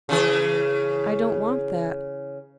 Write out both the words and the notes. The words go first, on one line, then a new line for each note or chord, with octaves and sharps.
I don't want that.
C#3 E3 G#4